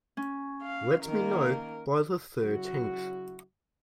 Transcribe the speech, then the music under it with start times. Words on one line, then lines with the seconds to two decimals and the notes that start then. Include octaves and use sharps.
Let me know by the thirteenth.
0.17 C#4
0.63 F5
1.04 D#3 A#3 A#4
2.42 C#3 F#3 E4 F#4